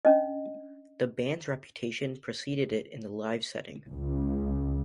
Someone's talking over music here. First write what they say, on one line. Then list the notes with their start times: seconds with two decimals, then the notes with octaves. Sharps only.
The band's reputation preceded it in the live setting.
0.05 C#4 D4 D#5
3.89 C#2